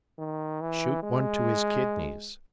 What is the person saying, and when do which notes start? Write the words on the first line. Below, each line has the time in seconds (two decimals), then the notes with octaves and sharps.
"Shoot one to his kidneys!"...
0.19 D#3
0.61 E3
1.03 G#3